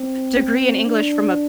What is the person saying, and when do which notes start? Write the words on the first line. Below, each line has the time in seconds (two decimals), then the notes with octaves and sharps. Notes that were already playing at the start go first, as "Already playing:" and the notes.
degree in English from a p
Already playing: C4
0.85 D4